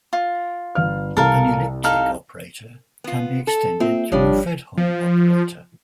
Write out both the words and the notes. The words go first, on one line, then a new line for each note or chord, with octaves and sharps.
An elliptic operator can be extended to a Fredholm operator.
F4
G1 F5 F6
C2 A4 A#4 F5
D#4 A4 F5
B3 F4
A4
A#3 C4 F4 E5
G#1 F3 G3 D4 C#5
F3